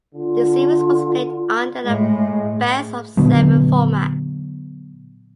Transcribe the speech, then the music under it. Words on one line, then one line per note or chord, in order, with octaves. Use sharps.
The series was played under a best-of-seven format.
D3 F4
A2 G#3
A#2 D3 F#3 B3